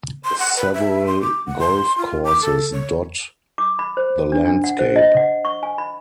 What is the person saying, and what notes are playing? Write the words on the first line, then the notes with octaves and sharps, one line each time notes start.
Several golf courses dot the landscape.
C6
F#5
B4
E5
C6
D6
F#5
C6
F4
D6
A4
C#5
D6
B5
C5
D4
D4
F#5
C5
D#5
F#5
C#6
G#5
B5